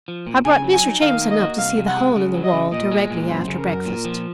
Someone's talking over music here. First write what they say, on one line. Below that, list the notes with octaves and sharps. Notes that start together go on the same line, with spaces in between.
I brought Mr. Jamieson up to see the hole in the wall, directly after breakfast.
F3
A#2
C#3 G#5
F#3
G#5
D#4
D#3 F5
A#3
D#5
F#4
C2 F5
C3
F#5
G#3
C#3
F#3
D#5
C#3
A#2 D#5
G#3
A#2
F#2 C5
C#3
A#4
F#2
A#2
F3